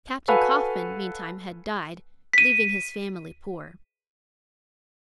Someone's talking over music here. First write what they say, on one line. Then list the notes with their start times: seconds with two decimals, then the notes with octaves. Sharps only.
Captain Coffin meantime had died, leaving his family poor.
0.28 F#4 A4 B4 F5 G#5
2.33 B6 D#7